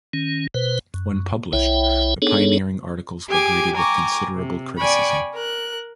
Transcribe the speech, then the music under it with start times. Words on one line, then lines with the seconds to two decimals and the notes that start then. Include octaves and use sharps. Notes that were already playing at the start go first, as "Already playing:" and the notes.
When published, the pioneering articles were greeted with considerable criticism.
0.13 D#3 C#4
0.54 B2 B4 C5
0.94 F#2
1.53 B1 E4 C#5 E5 G5
2.22 B3 D4 D#4 G#4 A4 C#5
3.29 G4 G#4 G#5 D6
3.75 G5 G#5 A#5 C#6 D6
4.34 C3
4.78 D5 G5 G#5 B5 C#6
5.34 A#4 F#6